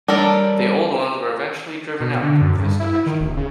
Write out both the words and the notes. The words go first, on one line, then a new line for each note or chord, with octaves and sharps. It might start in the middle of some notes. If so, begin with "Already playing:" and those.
The Old Ones were eventually driven out of this dimension.
G3 D4 A4 A#4 C#5 D5
B2
D3
F#2
G2
E4
D#3
D1
C#3